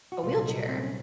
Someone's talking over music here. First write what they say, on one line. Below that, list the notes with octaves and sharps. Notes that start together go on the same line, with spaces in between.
a wheelchair.
F#4
C2 A#2 F#3 F4
D#4
C4
C#4